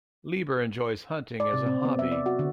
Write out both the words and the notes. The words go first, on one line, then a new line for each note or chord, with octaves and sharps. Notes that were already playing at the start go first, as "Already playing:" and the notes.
Lieber enjoys hunting as a hobby.
D5
C3
C4
B3
E5
D5
F#4
D3